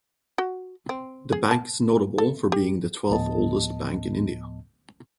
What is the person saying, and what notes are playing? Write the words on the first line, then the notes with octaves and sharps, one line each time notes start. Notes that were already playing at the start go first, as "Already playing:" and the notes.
The bank is notable for being the twelfth oldest bank in India.
F#4
C4
G#4
A5
A4
G4
D2 A2 F3 B3 D#5 A5